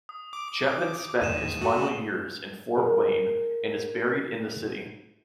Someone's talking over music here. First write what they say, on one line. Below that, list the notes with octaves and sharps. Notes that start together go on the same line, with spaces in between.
Chapman spent his final years in Fort Wayne and is buried in the city.
D#6
D6
D#2 G#2 D#7 E7
A3 F#4
G#4 A#4